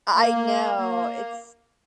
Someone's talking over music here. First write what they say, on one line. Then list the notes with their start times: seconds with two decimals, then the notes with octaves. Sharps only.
I know. It's
0.15 A#3
0.77 A#3